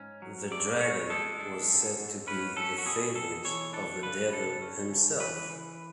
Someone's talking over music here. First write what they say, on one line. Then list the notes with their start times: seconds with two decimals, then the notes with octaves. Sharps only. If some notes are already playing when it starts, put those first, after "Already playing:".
The dragon was said to be the favourite of the Devil himself.
Already playing: G#2 C#4
0.22 F#3
0.52 A3 D5
0.80 A3 C#5
1.10 G#3 A4
1.39 D4
1.69 G#2
1.98 G#2
2.27 C#4 B4
2.56 C#4 A4
2.78 F#4
2.86 B2 G#4
3.15 B2 A4
3.44 E3 C#5
3.73 D4 A4
4.03 C#3 B4
4.32 D4 A4
4.62 C#4
4.90 C#3
5.20 E3 B4
5.49 E3